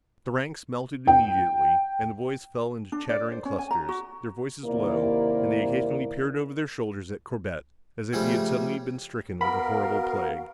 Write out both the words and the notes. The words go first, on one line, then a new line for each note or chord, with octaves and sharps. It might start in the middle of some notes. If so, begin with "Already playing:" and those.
The ranks melted immediately and the boys fell into chattering clusters, their voices low, and they occasionally peered over their shoulders at Corbett as if he had suddenly been stricken with a horrible plague.
G5
D4
D5
C5
C#4
G#5
A#5
F#4
D#2 C3 A#3 E4 A#4 D5
C#3 F3 G3 A3
B3 F#4 A#4 F5 B5